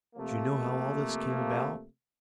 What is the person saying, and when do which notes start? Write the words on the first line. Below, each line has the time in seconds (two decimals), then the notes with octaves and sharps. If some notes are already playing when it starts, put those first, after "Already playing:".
Do you know how all this came about?
0.16 C3 F3 A3 A#3